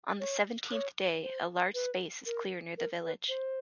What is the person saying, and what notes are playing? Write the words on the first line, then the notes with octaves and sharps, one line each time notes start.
On the seventeenth day a large space is clear near the village.
C#5
C#5
C5
B4
A#4
A#4
B4
C5